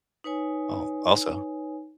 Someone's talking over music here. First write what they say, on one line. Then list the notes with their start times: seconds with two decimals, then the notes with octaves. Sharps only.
Oh, also
0.24 D#4 B4 C#5 G#5